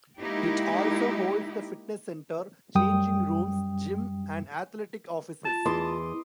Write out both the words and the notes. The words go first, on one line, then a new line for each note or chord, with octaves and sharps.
It also holds the fitness center, changing rooms, gym, and athletic offices.
G#3 A#3 D#4 E4 G4
F#2 G3 G5 D#6
F4 A5
E2 D#5 C6 D6